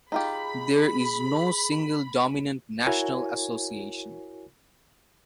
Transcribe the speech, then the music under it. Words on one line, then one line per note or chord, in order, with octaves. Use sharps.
There is no single dominant national association.
D#4 F4 G4 G#4 B5
E4 F#4 A#4 C#5 G#5